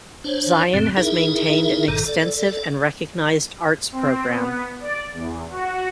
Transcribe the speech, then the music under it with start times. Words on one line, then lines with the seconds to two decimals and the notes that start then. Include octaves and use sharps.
Zion has maintained an extensive and recognized arts program.
0.24 D4 C5 C#5
0.74 F#2 A#2 D3 C4
0.97 D#4 E4 G#4 A#4 E5
1.88 G#1 G2 A#2 D#3 A4 A#5
2.05 A4 D5
3.92 C4
4.30 B3
4.80 D5
5.14 E2
5.50 F#4